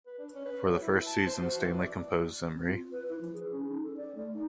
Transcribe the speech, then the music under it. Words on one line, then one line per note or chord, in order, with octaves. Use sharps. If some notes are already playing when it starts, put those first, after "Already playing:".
For the first season Stanley composed Zimri.
B4
D4
C#4
B4
F#3
E4
A5
C5
F#4
E3
D5
C4
F4
B4
E4
F3
G#4
C#4
D#4
A4
D5
A3
D#4